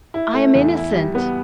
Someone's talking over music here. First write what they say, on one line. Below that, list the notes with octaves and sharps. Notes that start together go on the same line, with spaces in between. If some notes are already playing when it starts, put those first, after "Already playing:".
"I am innocent."
E4
A3
E2
E4
G3
B3